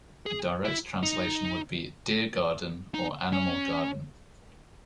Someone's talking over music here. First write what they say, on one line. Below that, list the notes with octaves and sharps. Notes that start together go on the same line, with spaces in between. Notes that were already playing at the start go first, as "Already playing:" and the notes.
A direct translation would be "Deergarden" or "Animalgarden".
G#4
E4
D#4
D#4
C#4